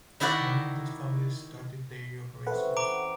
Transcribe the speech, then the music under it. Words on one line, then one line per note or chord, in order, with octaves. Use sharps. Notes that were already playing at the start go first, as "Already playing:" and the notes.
Many of these families started dairy operations.
D#3 D#4 E4 F#4 D5
E3 C4 C#4 A4 B4 F#5
A#5 D6 D7